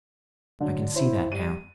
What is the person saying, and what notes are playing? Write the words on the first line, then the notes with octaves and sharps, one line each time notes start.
I can see that now.
D3 F#3
E4 C5
G3 D#7